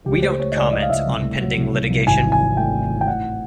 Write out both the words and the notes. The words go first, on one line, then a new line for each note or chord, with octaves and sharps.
We don’t comment on pending litigation.
C#2 G4
A3 C5
A3 C#5
D#5
C#2 D5
C#2 D#5
F5
C#2 E5
C2
A3
F#3
C2
F#3
C2
G#1 G#5
E3
G#5
E3
A3 G5
A3
E3
G5
A2 F#5